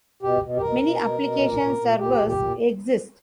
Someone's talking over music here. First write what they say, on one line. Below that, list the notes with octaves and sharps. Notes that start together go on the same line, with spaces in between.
Many application servers exist.
B2 G4
B2
G4
B2 A#4
B2
B2
B2
A#2
A#2
A#2
A#2 G4
A#2
G4
A#2